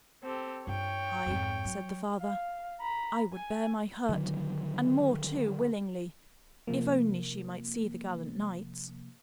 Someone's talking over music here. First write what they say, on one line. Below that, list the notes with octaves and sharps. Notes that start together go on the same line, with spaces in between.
"Aye," said the father, "I would bear my hurt, and more too, willingly, if only she might see the gallant knights."
C4 G4 A4
G2 F4 C#5 G5
F2 G#2
F#3
F5
A#5 B5
G#5
D3 D#3 F#3
C3 F3 A#3